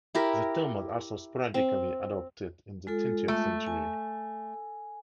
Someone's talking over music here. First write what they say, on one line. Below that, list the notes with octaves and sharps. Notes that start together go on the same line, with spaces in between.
The term was also sporadically adopted in the twentieth century.
E4 G4 A#4
C4
G#3 F4 A4
A3
G#5